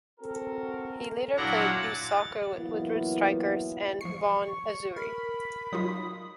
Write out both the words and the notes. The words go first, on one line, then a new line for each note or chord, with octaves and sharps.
He later played youth soccer with Woodbridge Strikers and Vaughan Azzurri.
C4 F#4 A4 A#4
A#2 F#3 D4 E4 F#5 A#5
A6
E3 F#3 A#3 B3 E4 F4
F3 C#6 C7
A#4 B5
F#3 D#4 F4 D#6